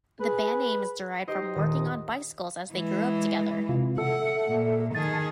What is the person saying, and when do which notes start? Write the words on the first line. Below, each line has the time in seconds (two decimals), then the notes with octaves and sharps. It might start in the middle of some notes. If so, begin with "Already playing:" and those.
The band name is derived from working on bicycles as they grew up together.
0.20 G#4 B4
1.28 D#4 G4 C5 D#5
1.55 D#1 D#6
2.73 E3 G#3
3.69 C3 F4
3.98 A4 E5 F#5
4.47 A#2
4.95 D#3 G#4 A5